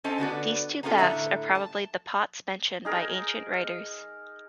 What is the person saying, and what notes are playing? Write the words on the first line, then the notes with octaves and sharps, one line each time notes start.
These two baths are probably the Pots mentioned by ancient writers.
C#4 A4 C5 D#5 A5
D3 B3 F#4 D5
A#3 B3 C#4 D#4 F4 A4
A2 D3 E5 A#5
A5
D#4 G#4 A#4